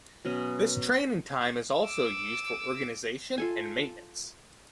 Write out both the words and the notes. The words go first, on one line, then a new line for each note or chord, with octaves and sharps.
This training time is also used for organisation and maintenance.
B2 F#3 C#4
D6 E6
F4 A4 G#5